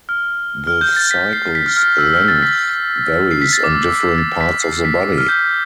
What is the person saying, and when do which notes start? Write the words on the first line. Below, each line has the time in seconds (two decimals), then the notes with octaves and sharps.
The cycle's length varies on different parts of the body.
0.09 F6
0.67 F6
0.81 G6
0.96 A6
1.11 B6
1.33 C7
1.55 B6
1.66 F6
1.77 F6
1.99 E6
2.14 F6
2.28 A6
2.42 B6
3.31 C7
3.42 B6
3.53 A6
3.64 D6
3.75 E6
3.89 E6
4.18 A6
4.41 B6
4.63 C7
4.85 B6
5.18 F6
5.29 G6